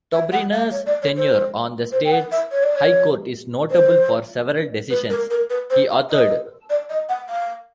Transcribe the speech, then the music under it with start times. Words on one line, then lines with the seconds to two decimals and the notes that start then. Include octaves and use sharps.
Tobriner's tenure on the state's high court is notable for several decisions he authored.
0.12 E5
0.32 F#5
0.53 F5
0.72 C#5
0.86 D5
1.02 C#5
1.17 C5
1.92 C5
2.05 G5
2.12 F#5
2.32 E5
2.51 C#5
2.63 D5
2.76 C#5
3.71 C5
4.90 B4
5.10 A#4
5.30 A#4
5.50 B4
5.70 C5
5.90 F5
6.10 D#5
6.70 D5
6.90 D#5
7.09 F#5
7.29 F5